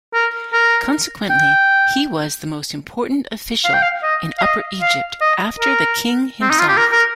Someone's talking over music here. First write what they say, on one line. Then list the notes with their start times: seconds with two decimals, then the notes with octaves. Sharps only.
Consequently, he was the most important official in Upper Egypt after the king himself.
0.14 A#4
0.53 A#4
1.30 G5
3.64 F5
3.73 G5
3.82 F5
4.03 D#5
4.38 F5
4.43 D#5
4.81 F5
5.21 D#5
5.60 A#4
6.41 C4
6.50 D#4
6.59 F4
6.68 G4
6.77 A#4
6.92 A#4